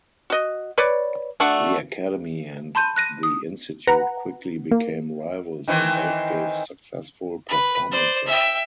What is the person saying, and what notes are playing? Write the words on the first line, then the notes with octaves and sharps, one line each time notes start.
The Academy and the Institute quickly became rivals, and both gave successful performances.
F#4 D#5
B4 C#5 D5
A3 D4 F#4 F#5
A5 B5 C6 G6 D#7
F#6 A#6 D#7
D#6
B4 F#5 A#5
A#3
D#3 E3 C4
B4
C5 D5
E5 G5